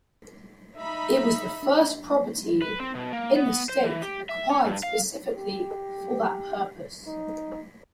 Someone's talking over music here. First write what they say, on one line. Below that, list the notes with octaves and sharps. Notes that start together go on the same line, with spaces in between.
It was the first property in the state acquired specifically for that purpose.
D#4 E5 B5
D4
B4
C4
B2
A#3
B3
C5
E3
G4
E5
C#4
G2
F5
G4
D#4